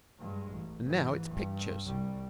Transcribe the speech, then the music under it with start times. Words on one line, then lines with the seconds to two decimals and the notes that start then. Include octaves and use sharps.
And now it's pictures.
0.20 G2 G#3
0.51 A1
0.85 G#2 E3
1.28 G2
1.86 C2 G3